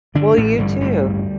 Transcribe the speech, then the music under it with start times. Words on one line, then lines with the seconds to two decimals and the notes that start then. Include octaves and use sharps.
Well, you too.
0.15 G2 D3 D4
0.37 A1 A2 A3
0.59 G2 D3 G3
0.81 A1 G2 G3
1.04 D2